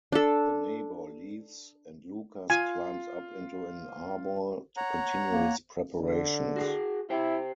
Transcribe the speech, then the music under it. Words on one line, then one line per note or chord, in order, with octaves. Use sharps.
The neighbor leaves, and Lukas climbs up into an arbor to continue his preparations.
D4 A4
F4 G#5
C#5 F#5 A#5
A#3
D3
F#4 G#4
E4 G4 C5 G5